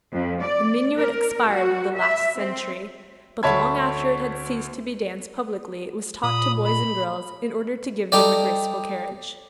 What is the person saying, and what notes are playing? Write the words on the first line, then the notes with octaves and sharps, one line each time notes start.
The minuet expired with the last century: but long after it had ceased to be danced publicly it was taught to boys and girls, in order to give them a graceful carriage.
F2
D5
A#4
F#4
E5
C4
D2 C#5 E5 A5 B5 G#6
A#2 B5 D#6
B5
G3 D#4 G4 A4 D5